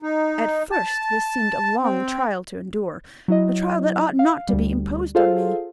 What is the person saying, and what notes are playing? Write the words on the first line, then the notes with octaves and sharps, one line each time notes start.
At first, this seemed a long trial to endure, a trial that ought not to be imposed on me.
D#4
A5
C4
F#3 E4 D#5
F5
D2 G3
F4 G#4 A4 C5 F5